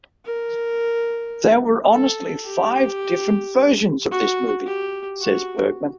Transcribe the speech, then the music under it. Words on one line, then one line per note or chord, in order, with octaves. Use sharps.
"There were honestly five different versions of this movie," says Bergman.
A#4
A4
G4
F#4
G4
F#4